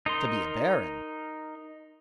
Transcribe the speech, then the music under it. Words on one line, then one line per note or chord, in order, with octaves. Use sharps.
"To be a baron."
D#4 A#4 C6